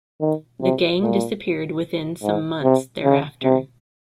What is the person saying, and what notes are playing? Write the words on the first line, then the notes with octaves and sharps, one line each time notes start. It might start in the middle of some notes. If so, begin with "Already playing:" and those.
The gang disappeared within some months thereafter.
D#3
C3
A#2
G#2
C3
C#3
C3